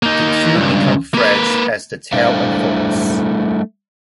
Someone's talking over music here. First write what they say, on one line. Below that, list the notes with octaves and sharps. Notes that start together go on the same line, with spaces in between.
The two become friends as the tale unfolds.
A#3 D#4
C#2 G2
A#3 B4
G3 A3 D4 E4 C5 F5